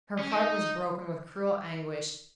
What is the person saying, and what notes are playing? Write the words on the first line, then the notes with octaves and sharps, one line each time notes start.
Her heart was broken with cruel anguish.
C#4
D#4